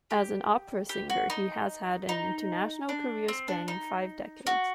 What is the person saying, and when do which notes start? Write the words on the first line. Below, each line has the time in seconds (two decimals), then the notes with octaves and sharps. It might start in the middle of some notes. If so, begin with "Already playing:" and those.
As an opera singer, he has had an international career spanning five decades.
0.11 G4
0.89 G4
1.10 F#4
1.30 D#4
2.09 D#4
2.89 D4
3.28 C4
3.48 D4
3.68 D#4
4.47 F#4